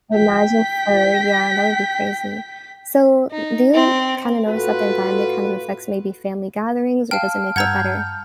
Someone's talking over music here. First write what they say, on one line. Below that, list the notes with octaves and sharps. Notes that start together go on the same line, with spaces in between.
imagine fur, yeah, that would be crazy. So, do you kind of notice that the environment kind of affects maybe family gatherings or does it make it better?
G5 B6
D#4
C4
A2 F4 F#4 A4 B4
F5 G5 A5 F6
G2 F#5 A#5 E6 G6 G#6